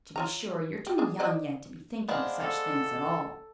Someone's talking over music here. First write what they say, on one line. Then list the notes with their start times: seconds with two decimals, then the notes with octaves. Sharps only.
To be sure, you're too young yet to be thinking of such things at all.
0.16 F4 C#5 A#5
0.87 G4
0.98 D4 G#4
1.19 C5 D5 D#5
2.08 G#3 B3 D4 C5 D5 F5
2.40 A4